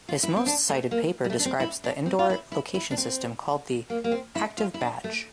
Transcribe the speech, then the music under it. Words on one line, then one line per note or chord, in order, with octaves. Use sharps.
His most cited paper describes the indoor location system called the Active Badge.
F4
E4
C4
D4
A3
A#3
G3
A3
D4
C4
E4
D4
C4
F4
E4
E4
E4
D4
C4
A#3
A#3
C4
E4
F4
E4
D4
A3